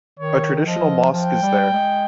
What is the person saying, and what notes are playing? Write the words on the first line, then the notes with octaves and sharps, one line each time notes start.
A traditional mosque is there.
D#3 C#5
F3 D#5
F3 G5
G3
G#3